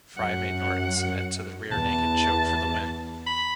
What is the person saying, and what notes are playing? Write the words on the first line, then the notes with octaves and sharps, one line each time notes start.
Frye made Norton submit to the rear naked choke for the win.
F#2 F#5
E2 A5
B5